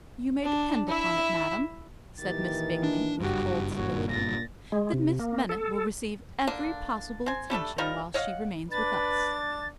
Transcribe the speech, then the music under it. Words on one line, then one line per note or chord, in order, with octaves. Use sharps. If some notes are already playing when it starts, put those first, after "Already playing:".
"You may depend upon it, Madam," said Miss Bingley, with cold civility, "that Miss Bennet will receive every possible attention while she remains with us."
D4
E4 E5
A#2 D#3 E3 G4 A6
D4
F#1 G2 F#4 G4
A#2 F#4 C#5
A6 A#6
G#3
C3
A#3
A4
D3 A#3 D4
C4 G#5
G3 A3 D4 A4
F3 G3 D#4 A#4
C#5 D#5 F5 F#5
D4 B4 A6